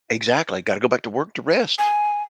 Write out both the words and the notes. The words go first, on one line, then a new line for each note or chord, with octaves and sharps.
Exactly. Gotta go back to work to rest.
G#5